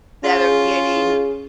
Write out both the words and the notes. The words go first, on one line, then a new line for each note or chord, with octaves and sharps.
that are getting
C#4 F4 G#4